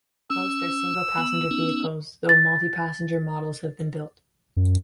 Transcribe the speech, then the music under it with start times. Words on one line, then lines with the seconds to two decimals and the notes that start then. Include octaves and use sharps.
Most are single-passenger vehicles, though multi-passenger models have been built.
0.30 C#4 E6
1.18 B3
1.51 B3 C#4 D#4
2.29 A6
4.57 F#2